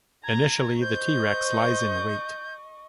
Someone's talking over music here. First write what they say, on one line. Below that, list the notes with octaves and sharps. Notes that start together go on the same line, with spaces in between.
Initially the "T. rex" lies in wait.
A#5 G#6
C5 D#5 C#6 G6